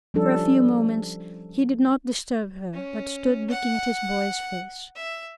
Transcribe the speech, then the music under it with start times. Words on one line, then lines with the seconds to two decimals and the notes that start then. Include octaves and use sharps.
For a few moments he did not disturb her, but stood looking at his boy's face.
0.14 F3 G3 C#4 D4 A4
2.73 C#4
3.50 F#5
4.95 E5